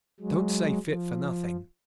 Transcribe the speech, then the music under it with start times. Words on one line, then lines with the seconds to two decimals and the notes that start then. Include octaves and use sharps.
"Don't say fit for nothing."
0.20 F#3 G#3
0.87 F3